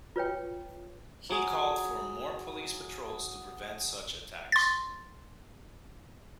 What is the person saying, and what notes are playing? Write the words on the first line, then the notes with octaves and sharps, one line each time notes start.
He called for more police patrols to prevent such attacks.
F4 B4 C#5 G5
F#3 G#4
C6 A6